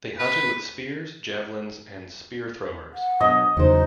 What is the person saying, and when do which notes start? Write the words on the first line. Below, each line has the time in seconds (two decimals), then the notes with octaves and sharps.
They hunted with spears, javelins, and spear-throwers.
0.19 B4
2.94 F#5
3.21 B2 F#3 D4 D#5
3.57 E2 C#3 F#3 D#4 C5